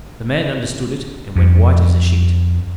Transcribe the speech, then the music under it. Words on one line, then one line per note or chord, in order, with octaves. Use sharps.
The man understood it and went white as a sheet.
F2